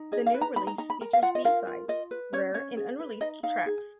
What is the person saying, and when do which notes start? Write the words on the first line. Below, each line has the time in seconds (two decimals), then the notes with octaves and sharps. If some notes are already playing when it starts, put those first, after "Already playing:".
The new release features B-sides, rare and unreleased tracks.
Already playing: D#4
0.12 G#4 D#5
0.26 F5
0.34 B4
0.41 A#5
0.56 D#4 B5
0.67 A#5
0.78 D#4 A#5
0.90 B5
1.01 A#4 A#5
1.13 F5
1.22 F4 F#5
1.35 D#5
1.45 A#4 F5
1.67 F4
1.88 F4 D#5
2.11 B4
2.33 C#4 C#5
2.54 C#4 C#5
2.77 G#4
3.00 B4
3.21 D#4 D#5
3.43 D#4 F5
3.66 G#4